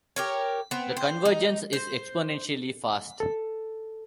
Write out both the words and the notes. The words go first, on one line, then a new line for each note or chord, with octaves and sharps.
The convergence is exponentially fast.
G4 A#4 C#5
B3 C4
C5
D#4
C5
A4